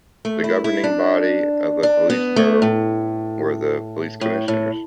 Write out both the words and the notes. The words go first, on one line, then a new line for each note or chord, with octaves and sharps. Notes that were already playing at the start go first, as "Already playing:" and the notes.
The governing body of a police burgh were the police commissioners.
A3
E4
E4
D4
D4
B3
A3
A2
A2
A2